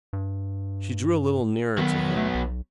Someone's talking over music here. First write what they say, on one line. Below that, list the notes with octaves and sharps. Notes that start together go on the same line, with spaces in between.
She drew a little nearer to him.
G2
D#3 F#3 B3
A3
B1